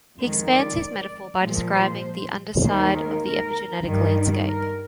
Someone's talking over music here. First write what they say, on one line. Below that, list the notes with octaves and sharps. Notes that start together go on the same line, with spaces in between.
He expands his metaphor by describing the underside of the epigenetic landscape.
F2 D#3 G#3 C5
D5
D5
A#2 F3 G#3
C5
D#2 D#3 G#3 C5
A#4
A#4
G2 D#3 G3
A#4